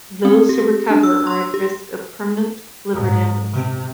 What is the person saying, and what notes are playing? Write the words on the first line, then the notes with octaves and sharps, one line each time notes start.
Those who recover are at risk of permanent liver damage.
C4
G4
D4
E6
C6
G4
G#2
C3